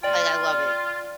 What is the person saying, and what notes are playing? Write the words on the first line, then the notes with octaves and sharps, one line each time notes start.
Like, I love it.
F4 D5 G5